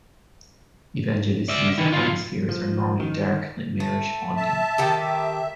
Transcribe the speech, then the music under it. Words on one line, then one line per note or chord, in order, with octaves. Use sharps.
Evangelisti's atmospheres are normally dark, nightmarish, haunting.
D5 E5
D#3 E3
B2 F4
F3
D#3
A3
E5 A5
D#3 G4 A4
E5